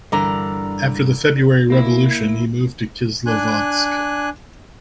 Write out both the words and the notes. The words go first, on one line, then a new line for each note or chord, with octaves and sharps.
After the February Revolution, he moved to Kislovodsk.
G2 D3 E3 A#4 D5 A#5
A#3 E4
D4 G#5 F#6